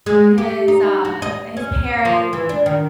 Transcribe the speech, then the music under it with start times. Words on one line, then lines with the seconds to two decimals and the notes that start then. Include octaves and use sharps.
His, uh his parent
0.06 G#3
0.38 G4
0.68 D#4
1.05 F#4
1.22 D#5
1.57 C#4
2.05 F3
2.33 E3
2.49 D4
2.66 D#3